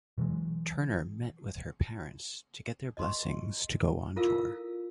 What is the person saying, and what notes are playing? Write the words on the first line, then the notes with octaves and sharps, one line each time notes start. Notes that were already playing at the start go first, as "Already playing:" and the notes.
Turner met with her parents to get their blessings to go on tour.
B2 E3 F#3 G#3
D#5 C6 C#6
E4 F4 A4 A#4 F5 E6